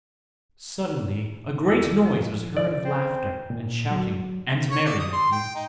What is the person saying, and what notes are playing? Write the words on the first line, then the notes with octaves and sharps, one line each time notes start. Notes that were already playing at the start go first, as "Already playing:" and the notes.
Suddenly a great noise was heard of laughter and shouting and merry-making.
E2 E4
F3
D5
C4
A#2
F#3
C#5
D5
D#6
C6
G5
D#4